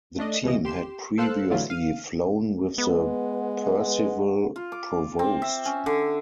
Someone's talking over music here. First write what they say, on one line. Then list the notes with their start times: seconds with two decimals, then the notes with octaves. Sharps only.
The team had previously flown with the Percival Provost.
0.18 A3 D4 D#5
0.44 C#2 B2 E3 D#5
0.65 G4 C6 E7
1.18 A4 C5 F5 E6 F#6
1.50 A2 D3 E3 F#3 E4 F4
1.70 F5 D#7
2.78 G#3 B3 B4 F#5
4.56 F4
4.72 D6
5.19 C4
5.42 E5
5.65 C#4
5.86 D3